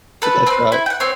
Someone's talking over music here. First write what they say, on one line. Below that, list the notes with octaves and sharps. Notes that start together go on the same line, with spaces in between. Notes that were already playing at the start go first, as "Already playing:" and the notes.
but that's right.
A4 B4
C4 B4
E4
F#5 G5
C4 C5 C#5